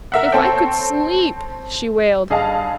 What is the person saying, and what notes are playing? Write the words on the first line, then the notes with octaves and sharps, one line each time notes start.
"If I could sleep," she wailed.
A#4 E5 F#5
C4 A4 C#5 G5
G2 G#4 D#5 F5 A5